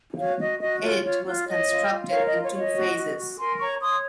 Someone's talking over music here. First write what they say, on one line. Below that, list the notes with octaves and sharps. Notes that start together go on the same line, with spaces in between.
It was constructed in two phases.
F#4 C#5 F5
F#4 D#5
F#4 D#5
F4 C#5
F4 C#5
F4
C#5 D#5
F4
F4
A#4 C#5 F5
D#5
F4
C#5
C#5
D#5
F#4
F#4
F#4
A#4 G#5 C6
C#5 A#5 C#6
C#5 C6 D#6